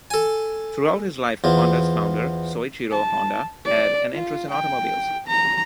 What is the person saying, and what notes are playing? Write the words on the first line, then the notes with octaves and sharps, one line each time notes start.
Throughout his life, Honda's founder, Soichiro Honda, had an interest in automobiles.
A4 G#5
E2 F3
A5
D5
F4
G5
A#5